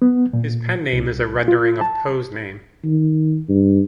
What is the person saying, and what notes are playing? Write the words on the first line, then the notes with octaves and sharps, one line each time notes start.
His pen name is a rendering of Poe's name.
B3
A#2
C2
F4
A5
D#3
G2